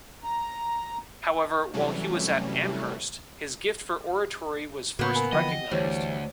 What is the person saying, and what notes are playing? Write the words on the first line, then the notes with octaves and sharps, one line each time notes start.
However, while he was at Amherst, his gift for oratory was first recognized.
A#5
C3 E3 F#3 G3 A3 C#4
A2 C#3 A#3 B3 F#4 F#6 G6
A#4 G#5 B5
D3 E3 F3 D#5 F#5 G5
D2 E3 G3 C5 C#5